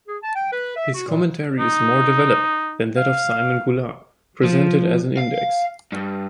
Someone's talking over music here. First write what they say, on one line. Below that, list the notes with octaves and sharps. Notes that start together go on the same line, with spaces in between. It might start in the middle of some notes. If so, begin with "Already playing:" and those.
His commentary is more developed than that of Simon Goulart, presented as an index.
G#4
A5
G5
B4
E5
F#4
A#2
D#4
F5
F3
F5
G2